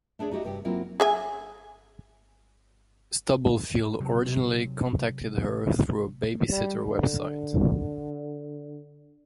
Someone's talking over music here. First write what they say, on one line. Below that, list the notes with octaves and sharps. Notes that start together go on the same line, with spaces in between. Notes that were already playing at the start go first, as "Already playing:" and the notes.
Stubblefield originally contacted her through a babysitter website.
A3 D4 G#4 C#5 D5
D#4 F#4 G4 D#5 E5
G2 C3 G4
F#3 A#3 C4 E4 F4
G#4 E5 G#5
C3 F#3
G3
D3